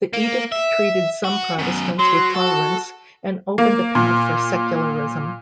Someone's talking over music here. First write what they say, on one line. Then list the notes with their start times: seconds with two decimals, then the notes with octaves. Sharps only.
The Edict treated some Protestants with tolerance and opened a path for secularism.
0.14 A#3
0.52 E5
1.24 F#4
1.59 F#2 B2
1.99 F#3 C6
2.34 F#4 A4
3.58 A#3
3.95 A#2